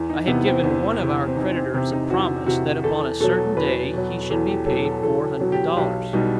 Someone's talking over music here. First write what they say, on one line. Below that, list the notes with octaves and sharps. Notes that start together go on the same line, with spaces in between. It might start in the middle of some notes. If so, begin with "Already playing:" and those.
I had given one of our creditors a promise that upon a certain day he should be paid four hundred dollars.
Already playing: E2
D#4
C3 E3 B3
C4
E2
C3 E3
C4
E2 D#4
C4
C3 E3 C4
D#4
E2 F#4
C3 E3 F#4
E2 A4
B2 F#3 A4
E2 B4
B2 F#3
E2 A4
G4
B2 F#3 A4
A4
E2 A4
B2 F#3
G4
B1 G4
B2 G3 D#4